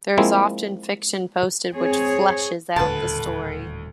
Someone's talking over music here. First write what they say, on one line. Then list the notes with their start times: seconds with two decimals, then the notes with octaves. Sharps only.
There is often fiction posted which fleshes out the story.
0.18 F3 G#3 A#3 C4 E4
1.73 C4 G#4 C#5
2.76 D#1 G#1 D2 A2 A4 B4 A5